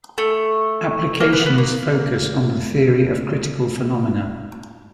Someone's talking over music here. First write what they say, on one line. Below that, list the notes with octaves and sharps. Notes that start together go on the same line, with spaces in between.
Applications focus on the theory of critical phenomena.
A3
A#3
B3
B3
A#3